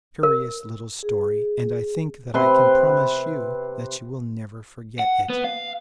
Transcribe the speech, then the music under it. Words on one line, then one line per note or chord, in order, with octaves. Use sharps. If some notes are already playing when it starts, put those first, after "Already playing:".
It is a curious little story, and I think that I can promise you that you will never forget it.
A#4
G#4
C3 B4 C6
F#5
B3
F5